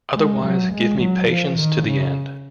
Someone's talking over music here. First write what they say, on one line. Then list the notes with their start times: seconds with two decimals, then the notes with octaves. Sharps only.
Otherwise give me patience to the end.
0.16 G#3
0.44 F#3
0.73 G#3
1.01 F#3
1.29 F3
1.58 D#3
1.86 C#3